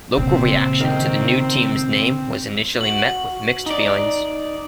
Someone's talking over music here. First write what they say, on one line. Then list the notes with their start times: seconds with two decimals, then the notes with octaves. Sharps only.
Local reaction to the new team's name was initially met with mixed feelings.
0.17 A#2 C#3 C4
0.80 D#3
2.81 F#4 F#7
3.66 D#4 D5